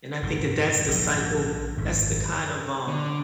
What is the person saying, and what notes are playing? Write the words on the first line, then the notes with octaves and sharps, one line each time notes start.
and, I think that that's the cycle that's the kind of, um,
F#1 G#2 C3
A#1 G#2
G#1 F#2
D3